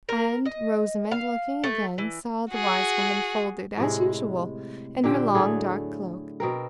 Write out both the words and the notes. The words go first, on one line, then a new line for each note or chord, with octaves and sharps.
And Rosamond, looking again, saw the wise woman, folded as usual in her long dark cloak.
A#4
D#5
F5
A3
E3
F#4 G#4
A2 C3 G#3
A#2 D3 D4 G4
A2 F#3 A3 G#4
B2 C4 A#4